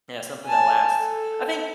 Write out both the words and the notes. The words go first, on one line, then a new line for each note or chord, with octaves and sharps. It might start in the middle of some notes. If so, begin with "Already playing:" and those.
Yeah, something that lasts. I think,
G#5 A5
A4